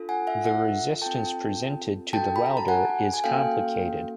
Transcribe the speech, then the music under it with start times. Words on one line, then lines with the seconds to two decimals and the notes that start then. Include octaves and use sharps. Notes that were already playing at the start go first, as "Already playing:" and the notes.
The resistance presented to the welder is complicated.
Already playing: D4 F4 A4
0.09 F#5 G#5
0.27 E5 F#5
0.46 E5 F#5
1.02 C4 F4 A4 G5 A5
2.13 D4 F#4 A4 G5 A5
2.36 B5
2.46 A#5
2.57 A5
2.68 F#5 G#5
3.14 G#5
3.24 A#3 C#4 F#4 A4 F5 G5